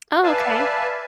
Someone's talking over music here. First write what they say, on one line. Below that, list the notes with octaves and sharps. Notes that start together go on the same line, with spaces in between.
Oh, okay.
B4 D5 E5 F5 G#5 A5